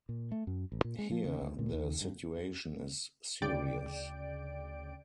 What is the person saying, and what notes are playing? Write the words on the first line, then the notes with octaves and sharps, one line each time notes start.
Here the situation is serious.
A#2
A3
F#2
A1
A#2
G#3
F3
C#3
D2
A#2
D#2
G2
D2 C#3 D5 G5 D7